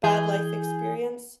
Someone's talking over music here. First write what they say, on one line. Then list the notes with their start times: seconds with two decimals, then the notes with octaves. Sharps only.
bad life experience.
0.04 E3 G#4 G6